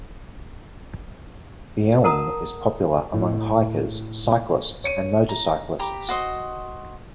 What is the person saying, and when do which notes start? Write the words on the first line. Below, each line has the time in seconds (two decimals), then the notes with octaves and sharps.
The Elm is a popular among hikers, cyclists, and motor cyclists.
2.04 A#4 F#5 A5 A#5 D#6
3.13 A2
4.84 C#5 C#7 D#7
5.29 A#5
5.79 G4 A#5 B5
6.09 F#4 C5 D#5